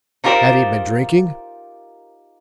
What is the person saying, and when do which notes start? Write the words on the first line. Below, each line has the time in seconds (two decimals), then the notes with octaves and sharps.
"Had he been drinking?"
0.24 D#4 F4 G4 A#4 C5 D5